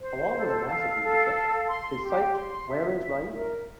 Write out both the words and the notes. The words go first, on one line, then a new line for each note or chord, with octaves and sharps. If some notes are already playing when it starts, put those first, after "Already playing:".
Along with a massive readership, his site Where is Raed?
C5
A4
F5
A4
F5
C6
G4
C6
E5
E5
A#4